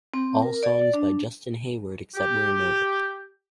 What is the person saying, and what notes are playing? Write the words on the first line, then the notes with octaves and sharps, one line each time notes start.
All songs by Justin Hayward except where noted.
C4
A#4
D5
D4
G4